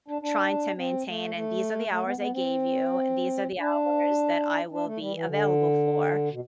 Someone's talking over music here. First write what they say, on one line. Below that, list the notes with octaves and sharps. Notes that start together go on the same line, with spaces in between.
trying to maintain, and these are the hours I gave you, "These are the hours that I will be available for,"
D4
D4
C4
A3
A3
A3
B3
B3
C4
D4
D4
A3
G3
E3
D3
B2